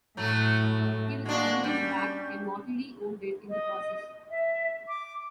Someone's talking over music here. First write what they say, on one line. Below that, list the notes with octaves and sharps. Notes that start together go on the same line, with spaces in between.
He was driven back, and mortally wounded in the process.
A2 F#3 A3
G#3 A#3 D4 F#4
G3 C#4 D4
D#5
E5
D6